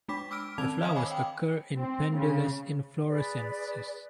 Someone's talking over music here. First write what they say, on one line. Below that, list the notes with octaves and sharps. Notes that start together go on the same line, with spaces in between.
The flowers occur in pendulous inflorescences.
G#3 D4 B5 D6 B6
D6 E6 F6 D7
D#3 C4 A5 G#6 F7
C5 D#5 F5 G#5 D#6 E6
C#5 G#5 B5 D6
G5
C4
C#3
G#4 B4 D5